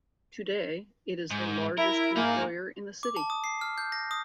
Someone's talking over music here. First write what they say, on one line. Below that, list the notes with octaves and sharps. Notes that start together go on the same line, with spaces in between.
Today, it is the largest employer in the city.
G#2
E4 A#4
A#3 D#4 G#4
D6
A5
D#6
C7
F6
G6
A#6
D#6